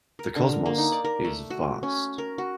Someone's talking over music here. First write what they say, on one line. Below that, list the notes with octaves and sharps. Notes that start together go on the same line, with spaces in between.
The cosmos is vast.
A#4
D3
A#4
A#3
D#4
D5
A#4
A3
F#4
C#4
A#4
F#4